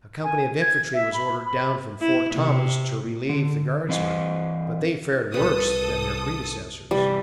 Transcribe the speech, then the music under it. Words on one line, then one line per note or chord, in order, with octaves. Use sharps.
A company of infantry was ordered down from Fort Thomas to relieve the guardsmen, but they fared worse than their predecessors.
G#5
G#6
E5
B5
B5
E4
C3
D3
E3 C4 D#5
C2 A4 B4 D#6
G1 C3 E3 G3